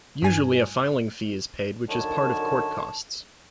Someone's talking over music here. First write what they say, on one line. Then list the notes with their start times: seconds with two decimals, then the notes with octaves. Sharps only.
Usually a filing fee is paid which is part of court costs.
0.22 G2 G#5
1.89 F#2 D3 D#3 C#5 A5